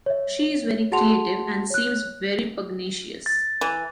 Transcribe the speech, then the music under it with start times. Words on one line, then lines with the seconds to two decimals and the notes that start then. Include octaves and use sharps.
She is very creative and seems very pugnacious.
0.06 C#5 E5
0.92 F#4 G#4 F#5 A5 C6 F7
1.70 C#5 F#6
3.26 A6
3.61 E3